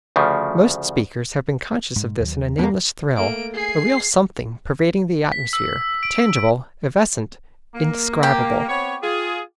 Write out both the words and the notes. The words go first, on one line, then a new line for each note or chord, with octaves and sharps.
Most speakers have been conscious of this in a nameless thrill, a real something, pervading the atmosphere, tangible, evanescent, indescribable.
D2 C#3 F3
G#2
D#2 F#3
E2 B2 A#3
A3 A#3 A#4 E5 D7
G#4 G#5 C7
B6
E6
D7
D7
A#3
G4
B3 C4 C#5
F4 G#4